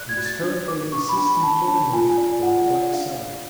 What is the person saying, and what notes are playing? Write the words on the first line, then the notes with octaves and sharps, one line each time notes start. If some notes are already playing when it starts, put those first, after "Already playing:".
He is currently Assistant Tour Manager for Black Sabbath.
Already playing: D5 F#6
G#6
F#4
A6
D4
B4 D6
D4 C#6
B5
D4
B5
D4 A5
D4 A5
F4 G#5
G#5
D5
F4 F#5
D5
D4 F5